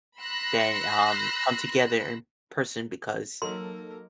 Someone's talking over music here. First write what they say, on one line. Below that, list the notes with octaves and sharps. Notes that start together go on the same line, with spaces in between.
than, um, come together in person because
B5 C6 E6 F#6 A#6
F#3 A#3 D#4 A4 A#4 C6